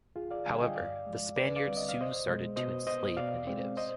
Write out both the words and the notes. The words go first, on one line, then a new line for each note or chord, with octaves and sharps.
However, the Spaniards soon started to enslave the natives.
D2 F4 G#4
D5 F5
D3 G3 F5 G#5
D#5 G5
G2 D5 F5
F3 G#3
D#2 B4 D5
D5 F5
D3 G3 C4
D#5
F5
C2 C5 D#5
B2 G#3
B2 C5 D#5
B3 C5 D#5
B2 D5 F5
G#3 C4
C5 D#5